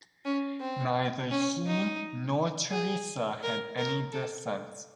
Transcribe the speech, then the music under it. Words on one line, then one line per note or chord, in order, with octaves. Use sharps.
Neither he nor Teresa had any descent.
C#4
C4
C#4
D#4
G#4
A#4
A#4
A4